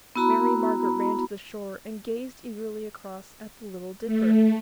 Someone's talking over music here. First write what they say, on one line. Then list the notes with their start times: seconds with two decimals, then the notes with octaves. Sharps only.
Mary Margaret ran to the shore and gazed eagerly across at the Little Dipper.
0.15 B3 E4 F#4 A#5 B5
4.05 A3